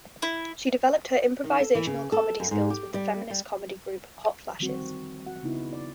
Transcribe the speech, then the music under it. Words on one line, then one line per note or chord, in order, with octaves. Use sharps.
She developed her improvisational comedy skills with the feminist comedy group Hot Flashes.
E4
D#3
A4
E3
C#3
A4
F#2
G#2
G4
G3
G3
D3 D#3 F3 G3 C4 F#4
F#4 F#5
C#3 B3 D#4 E4
D5